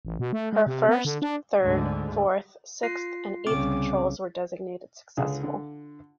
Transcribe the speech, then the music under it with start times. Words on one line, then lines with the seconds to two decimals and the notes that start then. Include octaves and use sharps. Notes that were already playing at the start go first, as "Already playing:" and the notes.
Her first, third, fourth, sixth, and eighth patrols were designated successful.
0.05 A1
0.20 B2
0.33 A3
0.53 G#3
0.66 C3
0.89 B3
1.05 D3
1.22 D4
1.62 D2 G#2 D3
2.83 F4 C7
3.47 C2 C#3 C4 D6
5.17 C#2 D3 G#4
5.43 D3